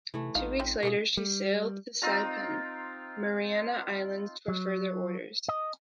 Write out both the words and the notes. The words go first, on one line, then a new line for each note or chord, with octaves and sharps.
Two weeks later, she sailed to Saipan, Mariana Islands, for further orders.
C3 E3 A3
A1 D#4 F4 F5
C4 C#4 C5
B2 A#3 C#4 D#5
G3
C4 D#4 F4 A#5
F#3
D#5